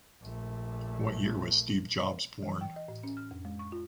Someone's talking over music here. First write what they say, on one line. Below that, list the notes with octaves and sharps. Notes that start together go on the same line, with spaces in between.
What year was Steve Jobs born?
A#1 A3
E3
G5
D#5
A2
C#4
F6
F2
G#3
C#6
F4